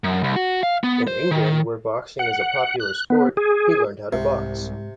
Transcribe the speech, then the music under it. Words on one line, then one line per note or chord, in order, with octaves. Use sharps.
In England, where boxing is a popular sport, he learned how to box.
F#2
C2
F#4
F5
B3
C5
D#3
F#5
F#6
B3
G#4
C2 G#2 C3